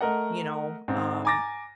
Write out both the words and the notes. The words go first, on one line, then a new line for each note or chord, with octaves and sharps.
you know, um,
A3 A#4 D#5 F#5
G#2 C4
G#5 A#5 D6 A6 A#6